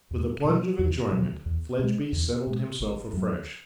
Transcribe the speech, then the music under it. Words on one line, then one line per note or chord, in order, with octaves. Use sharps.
With a plunge of enjoyment, Fledgeby settled himself afresh.
E2
B2 F#3
E2
B2 F#3
E2
B2 G#3
E2
B2 G#3
G#1
F#2 F#3